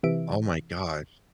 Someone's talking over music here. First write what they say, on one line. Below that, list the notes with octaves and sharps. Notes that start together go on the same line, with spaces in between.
Oh my gosh.
C3 E3 E5 D7